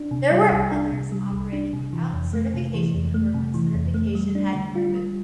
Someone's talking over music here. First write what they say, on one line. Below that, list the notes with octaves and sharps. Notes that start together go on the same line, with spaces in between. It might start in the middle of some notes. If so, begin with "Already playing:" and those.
There were others operating without certification or when certification had been removed.
Already playing: D4
C3
G3
C2
D4
C3
G3
C2
D4
C3
E3
F2
A3
C3
E3
F2
A3
C3
E3
F2
A3
G3
D4
D3
F4
G3